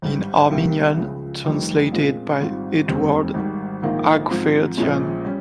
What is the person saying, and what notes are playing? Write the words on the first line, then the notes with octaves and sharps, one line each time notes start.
In Armenian, translated by Eduard Hakhverdyan.
G#1 G2 G3
C2 C3 D#3 G3 A#3
C#2 C#3 F3
F1 F2 D#3 G3
A#2 G#3 C4 F4
G#1 G#2 G3 C4 F4
F1 D#2 D#3 G3 C4
G#1 G#2 D#3 G3
A#1 G#2 D#3 A#3 F4
G#2 F3 C4
A#1 A#2 F3 G#3 C#4
G3 C#4